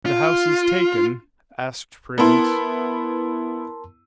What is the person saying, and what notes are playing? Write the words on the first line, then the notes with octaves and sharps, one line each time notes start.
"The house is taken?" asked Prudence.
F4
B3 E4 A#4 A5 C6